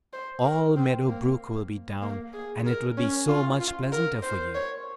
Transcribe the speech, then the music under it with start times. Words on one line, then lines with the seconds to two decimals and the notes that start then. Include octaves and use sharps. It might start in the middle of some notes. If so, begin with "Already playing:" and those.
All Meadow Brook will be down, and it will be so much pleasanter for you.
0.13 C5
0.45 A#4
0.76 C4
1.07 A#3
2.02 A#3
2.34 G#4
2.66 A#4
2.97 C#4
3.29 F4
3.61 F4
3.92 A#4
4.23 C5
4.55 C#5